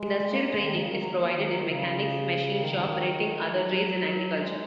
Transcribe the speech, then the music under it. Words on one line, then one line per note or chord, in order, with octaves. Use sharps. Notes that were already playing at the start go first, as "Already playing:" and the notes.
Industrial training is provided in mechanics, machine shop, printing, other trades, and agriculture.
Already playing: G#3
A#3
G#3
D#3
C#3
D#3
F#3
A#3
A#3
D#3
F#3
D#3
C#3
D#3
F#3
G#3